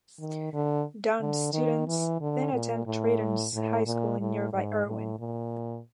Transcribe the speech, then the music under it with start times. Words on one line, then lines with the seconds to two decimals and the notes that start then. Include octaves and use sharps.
Dunn's students then attend Triton High School in nearby Erwin.
0.20 D#3
0.53 D3
1.20 D3
1.53 D#3
1.87 E3
2.21 D3
2.53 A#2
2.86 A2
3.54 A2
3.86 A#2
4.20 A2
4.53 G#2
4.86 A2
5.19 A#2